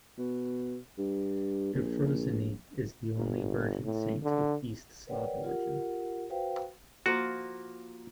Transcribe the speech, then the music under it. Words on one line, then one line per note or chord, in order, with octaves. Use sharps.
Euphrosyne is the only virgin saint of East Slav origin.
B2
G2
A#1
G1
A2
D3
A#4 B4 C#5 D5 F#5 G5
F4 G4 A#4 F#5
F#4 B4 C5 F5 G5
F3 A#3 F4 F#4